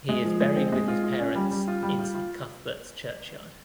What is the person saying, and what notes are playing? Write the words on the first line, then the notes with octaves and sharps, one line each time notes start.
He is buried with his parents in St Cuthberts Churchyard.
G#3
F3
G#3
C4
G#3
F4
F4
C#4
G3
G3
F4
G3
F4
F4